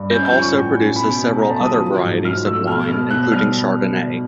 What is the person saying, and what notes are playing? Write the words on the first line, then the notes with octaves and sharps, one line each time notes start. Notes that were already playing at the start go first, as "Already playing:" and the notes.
It also produces several other varieties of wine, including Chardonnay.
Already playing: G2
C#4 G6
G6
F3
C#6
A2
C#4
B2 B5
B2
A3 A#5
A5
F#3 D#6
F3
G#2
G#2 F6
A3 E6
B2 F6
B2 F6
B2 F#6
G3 F6